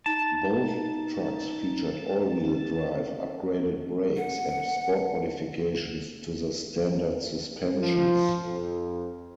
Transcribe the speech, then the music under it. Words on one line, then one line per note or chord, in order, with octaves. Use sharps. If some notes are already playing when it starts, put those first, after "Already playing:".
Both trucks featured all-wheel drive, upgraded brakes, and sport modifications to the standard suspensions.
D#4 A5
F#5
F3
F2